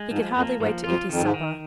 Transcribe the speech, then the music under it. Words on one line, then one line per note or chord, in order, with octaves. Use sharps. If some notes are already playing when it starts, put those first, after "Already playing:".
He could hardly wait to eat his supper.
Already playing: G#3
G#2 F3
F2 A#3
G#2 F3
F2 F4
F2 D#3
G#2
D#3